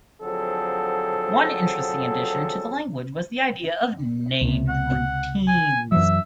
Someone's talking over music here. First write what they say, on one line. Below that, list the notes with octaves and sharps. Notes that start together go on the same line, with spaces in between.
One interesting addition to the language was the idea of named routines.
D3 F3 F#3 C4 G#4 A4
C#2 C3
F#5
G#5
F#2 E3 F#3 E5